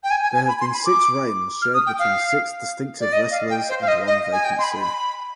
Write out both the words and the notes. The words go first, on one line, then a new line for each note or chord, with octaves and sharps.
There have been six reigns shared between six distinctive wrestlers and one vacancy.
G5
G#5
G#5
G#5
B5
C6
B5
D6
F6
D#6
G5
F5
D5
D#5
F5
G5
C5
F5
D#5
D#5
G#5
G5
C6
B5
B5